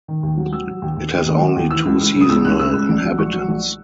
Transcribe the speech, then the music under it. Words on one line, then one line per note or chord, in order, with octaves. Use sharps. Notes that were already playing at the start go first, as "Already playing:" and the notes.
It has only two seasonal inhabitants.
D#3
D#2
F#3
F#3 E6
F#3
D#2
D#2
D#2
D#3
F#3
D#2
E3 E6
C#2
C#2
C#3
D#6
C#2 E6
C#2 F#6
C#3 E6
C#2
A#1
F#3
A#1 C#6
F#3
A#1